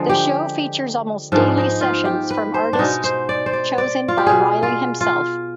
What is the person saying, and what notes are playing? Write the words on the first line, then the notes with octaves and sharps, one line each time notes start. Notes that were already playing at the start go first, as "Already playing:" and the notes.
The show features almost daily sessions from artists chosen by Riley himself.
Already playing: D3 F3 G#3
G4
G#2 F3 G#3 B3 D4
D#4
F4
G4
B4
C5
D4
B2 G#3 B3 D#4
C5
D5
C5
D5
D5
F4
G4
B2 B3 G#4
F4
F4